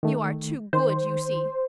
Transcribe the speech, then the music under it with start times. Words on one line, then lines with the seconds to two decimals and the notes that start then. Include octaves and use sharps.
You are too good, you see!
0.03 D#3 A3
0.73 D#3 C5